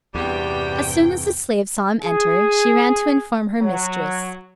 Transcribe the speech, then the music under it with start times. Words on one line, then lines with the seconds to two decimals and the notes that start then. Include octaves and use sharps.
As soon as the slave saw him enter, she ran to inform her mistress.
0.15 E2 G2 C3 G3 F#4 G4 G5
2.02 G#4
3.61 F#3